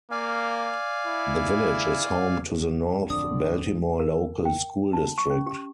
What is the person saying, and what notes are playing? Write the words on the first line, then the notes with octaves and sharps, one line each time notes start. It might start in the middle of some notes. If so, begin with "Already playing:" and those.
The village is home to the North Baltimore Local School District.
A#3 D5 F5 G#5
E4
D1 F2 D3 C4 D4 D5 D#6
A#4
G5
A5
C#6
C#4
G4